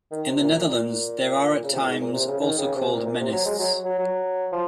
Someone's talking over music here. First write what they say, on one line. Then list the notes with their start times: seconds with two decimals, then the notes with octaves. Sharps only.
In the Netherlands they are at times also called Mennists.
0.12 D#3
0.29 C3
0.42 A#2
0.55 A#2
0.69 A#2
1.64 C#3
1.72 C3
1.80 A#2
1.87 G#2
2.01 A#2
2.13 C3
2.27 C#3
2.41 D#3
2.58 C#3
2.75 C3
2.92 A#2
3.06 A#2
3.20 C3
3.32 F#3
3.46 G#3
3.59 F#3
3.85 F#3
3.99 F#3
4.52 F3